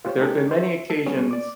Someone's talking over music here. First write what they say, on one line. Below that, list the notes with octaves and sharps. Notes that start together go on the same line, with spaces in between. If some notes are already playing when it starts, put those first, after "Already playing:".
but there have been many occasions
F4 G4 C5 C#5
G#3 C#4 D#4 G4 A4 A#4
C5 E5
A4
G3 G#3 B3 C#4 G#4
D5 D6